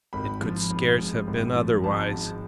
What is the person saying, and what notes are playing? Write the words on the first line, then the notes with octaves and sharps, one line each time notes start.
It could scarce have been otherwise.
G#1 B5
F3
G#1
G#2
G#1
F3
G#1 A5
G#2